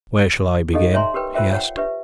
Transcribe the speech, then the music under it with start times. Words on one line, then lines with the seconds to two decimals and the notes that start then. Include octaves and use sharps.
"Where shall I begin?" he asked.
0.73 D#4 G4 A4 D#5 F5
0.94 C#5 E5 G#5 A#5 C6
1.14 G4 A#4 B4 G5
1.34 F4 A#4 C5 E5 G5
1.53 C#5 F#5 G5
1.77 G4 B4 E5